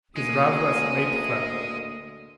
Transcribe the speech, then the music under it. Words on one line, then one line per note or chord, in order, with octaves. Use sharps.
His ruff was laid flat.
D2 G#3 A#3 D#6